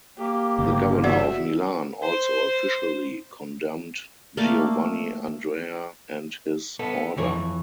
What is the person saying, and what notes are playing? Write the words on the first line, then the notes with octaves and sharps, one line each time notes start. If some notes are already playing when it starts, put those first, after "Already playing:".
The governor of Milan also officially condemned Giovanni Andrea and his order.
A#3 G4
G1 C#3
F#4 D5 E5 F#5
C5
A3 A#3 D5 F5
B3 A4
F2 E3 C#5